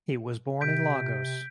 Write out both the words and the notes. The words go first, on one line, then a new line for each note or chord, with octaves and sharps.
He was born in Lagos.
C3 G6 B6 D7